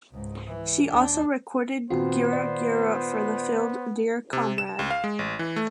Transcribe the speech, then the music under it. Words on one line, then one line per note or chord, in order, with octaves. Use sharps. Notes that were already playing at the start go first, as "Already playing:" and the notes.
She also recorded Gira Gira for the film Dear Comrade.
C#2 G#2
E3
D#2 D4
A#2 D#3 B3 C4 F4 F#4 C5
D5
C3
E7
C#2
F5
G#3
A1
E3
A3